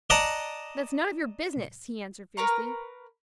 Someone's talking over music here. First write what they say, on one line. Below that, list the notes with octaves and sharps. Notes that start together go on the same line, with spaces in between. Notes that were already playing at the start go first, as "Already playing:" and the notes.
"That's none of your business," he answered, fiercely.
D5 D#5 F#5 A5 A#5
A#4 B4 A#5 C#6